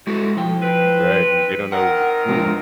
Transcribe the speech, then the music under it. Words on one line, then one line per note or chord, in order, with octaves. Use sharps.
Right. And they don't know who
G#3 E4 F#4 A4
F3 E4 G5
C4 B4
D#3 C4 A#4 F#5
E2 G#2 F3 G#3 D4